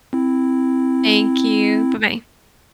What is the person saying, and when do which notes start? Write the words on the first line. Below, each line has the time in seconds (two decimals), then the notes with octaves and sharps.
Thank you. Bye bye.
0.13 C4 E4